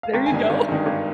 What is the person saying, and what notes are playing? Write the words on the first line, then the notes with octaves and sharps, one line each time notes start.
There you go.
F5
G#1 G5
G#5
G2 D#3
G#1
G2 D#3
G#1